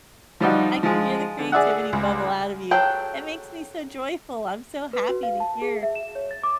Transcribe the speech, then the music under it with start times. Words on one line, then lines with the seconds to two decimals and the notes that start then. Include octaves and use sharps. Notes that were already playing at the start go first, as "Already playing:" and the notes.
I can hear the creativity bubble out of you, it makes me so joyful, I'm so happy to hear
0.40 F3 G3 D#4 F#4
0.83 F3 G#3
1.39 D3
1.52 G#4 D5 E5 F#5
1.93 C#2
2.71 F#3 G#4 A4 F#5 G5
4.93 B4
5.09 F#4
5.23 F5
5.40 A5
5.62 G#4
5.83 E5
5.95 E7
6.15 C#5
6.31 A6
6.43 D6